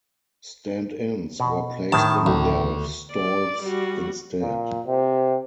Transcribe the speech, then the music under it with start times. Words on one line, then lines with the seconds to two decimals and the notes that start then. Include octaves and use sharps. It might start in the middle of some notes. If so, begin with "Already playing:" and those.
Stand-ins were placed in their stalls instead.
1.40 B2
1.92 A2 D#3 A5
2.26 D2
3.12 D5
3.62 G3 F#4
4.41 A#2
4.87 C3